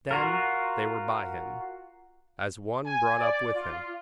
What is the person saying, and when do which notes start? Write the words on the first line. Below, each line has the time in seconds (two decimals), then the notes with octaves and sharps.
Then they were by him, as one brought up with him.
0.11 F4 F#4 A#4
2.86 G#5
3.19 D5
3.55 F4